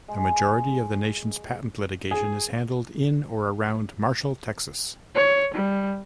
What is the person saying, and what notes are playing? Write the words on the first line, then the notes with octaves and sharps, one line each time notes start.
The majority of the nation's patent litigation is handled in or around Marshall, Texas.
G#3
G#4
C#5
G3